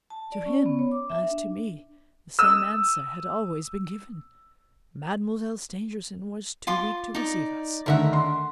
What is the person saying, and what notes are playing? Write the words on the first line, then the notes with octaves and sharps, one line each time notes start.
To him, as to me, the same answer had always been given: Mademoiselle Stangerson was too weak to receive us.
A5
D5
C#4
B3
C#5
D6
E5
D4
D#6 E6
F4 C6 D6
D#4 D5
D2 D3 D#3 A#4 E5 F#5
C6